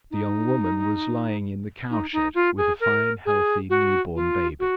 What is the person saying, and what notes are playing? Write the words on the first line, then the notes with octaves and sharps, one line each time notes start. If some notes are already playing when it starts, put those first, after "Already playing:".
The young woman was lying in the cowshed with a fine, healthy, new-born baby.
D#4
D#4
D#4
F4
G#4
A#4
G#4
F#4
F4
F#4